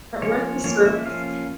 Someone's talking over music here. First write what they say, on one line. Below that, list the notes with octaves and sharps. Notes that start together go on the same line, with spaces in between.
weren't the surfers
F3 A#3 C#4 C#5
F3 A#3 C#4 C#5
E5
F3 A#3 C#4 F5